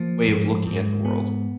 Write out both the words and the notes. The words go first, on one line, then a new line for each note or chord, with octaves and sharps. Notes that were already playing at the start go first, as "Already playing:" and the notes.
way of looking at the world
Already playing: F3 A#3
G#2
G#2
B3